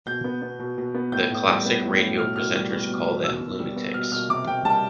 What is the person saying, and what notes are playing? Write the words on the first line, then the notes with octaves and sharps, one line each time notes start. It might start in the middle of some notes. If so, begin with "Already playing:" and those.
The classic radio presenters call them lunatics.
B2 G6
B3
B3
B2
B2
B3
A2 G6
A2
G3
B3
A2
A2
B2 F6
B2 F6
G3
B3
B2
B2
B2 E6
B2
G3
B3
B2 F6
B2 F6
C3 D6
C3 G5
G3 A5